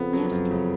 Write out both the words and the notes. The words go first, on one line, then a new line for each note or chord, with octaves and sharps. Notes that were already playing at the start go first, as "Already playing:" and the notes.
"Yes, dear."
Already playing: F2 C#3 B3
F#3
F#2
C#3